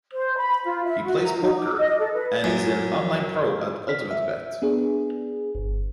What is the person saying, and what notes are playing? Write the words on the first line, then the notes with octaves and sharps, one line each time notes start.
He plays poker and is an online pro at UltimateBet.
C5
B5
F4
E5
F#4
A#5
D#4
D6
D#5
A4
B4
F#2
F6 B6
E5
B3 D4 G#4
G1